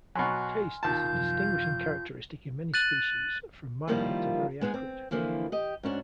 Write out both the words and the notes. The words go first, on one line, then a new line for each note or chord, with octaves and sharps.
Taste is a distinguishing characteristic in many species, from mild to very acrid.
B2 F#3 G#5 C6 F6
D#2 F4 A5 G6
F#2 C3 F3
F#6 A6 D#7 F#7
D#3 F3 G3 A#3 E4 F4
G#3 B3 D#4 G#4
C4
D3 E3 F3 A#3 E4
G4 D#5
G#2 C#4 D4 F#4